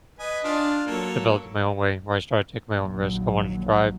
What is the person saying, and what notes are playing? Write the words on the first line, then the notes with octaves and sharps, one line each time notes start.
developed in my own way where I started to take my own risk, I wanted to drive.
B4 D#5 G#5
D4 F4
F#3 A#3 A4 C#5
A#1 D#2 F#3